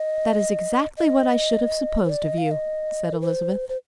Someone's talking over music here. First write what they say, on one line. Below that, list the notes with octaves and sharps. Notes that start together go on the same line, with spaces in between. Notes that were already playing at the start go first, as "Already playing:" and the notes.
"That is exactly what I should have supposed of you," said Elizabeth.
Already playing: D#5
D#5
C5
D5
D#5
F5
D#5
A#4
C5
C5